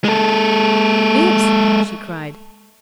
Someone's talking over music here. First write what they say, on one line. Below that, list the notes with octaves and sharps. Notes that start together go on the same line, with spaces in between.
"Bibbs!" she cried.
G#3 A4